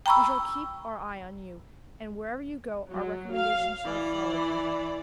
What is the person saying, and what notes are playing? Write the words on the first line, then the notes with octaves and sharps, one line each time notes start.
We shall keep our eye on you, and wherever you go, our recommendations shall follow you.
G5 A#5 B5 C#6 E6
F#3
F5
E3 D5